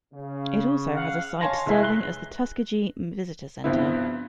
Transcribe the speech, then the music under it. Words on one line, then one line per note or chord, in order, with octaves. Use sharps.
It also has a site serving as the Tuskegee Visitor Center.
C#3
F5 F#5
C#5 F5 G#5 A5 C6 A#6
F1 G#3 E4 E5 G#5 C7
F#6 G7
G2 C3 F3 B3 C4 E4